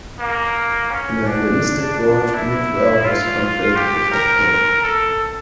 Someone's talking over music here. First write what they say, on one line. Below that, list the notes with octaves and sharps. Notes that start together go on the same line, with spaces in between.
In the Hellenistic world, Mithra was conflated with Apollo.
A#3
C#4
D4
D4
E4
F4
G4
A#4
A4